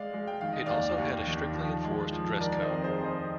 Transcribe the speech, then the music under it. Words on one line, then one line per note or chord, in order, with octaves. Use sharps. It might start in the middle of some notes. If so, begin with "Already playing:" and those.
It also had a strictly enforced dress code.
Already playing: G#3 D5 F5
G#3
G5
D#3 F5
D#5
D#2 D5 F5
D#2
D#3
F3
G#3
F3
D#3 A#4 D5
C5 D#5
F2
G#4 C5
F2
C5 D#5